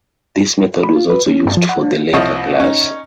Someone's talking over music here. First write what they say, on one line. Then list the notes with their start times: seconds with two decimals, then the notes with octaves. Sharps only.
This method was also used for the later class.
0.84 B5
0.96 F4
1.10 B4
1.26 C#4
1.45 G2
1.57 F3
1.69 F#5
1.83 D4
2.13 C2 F3 E4 C#5 D#5 C#6
2.60 C#4 D#4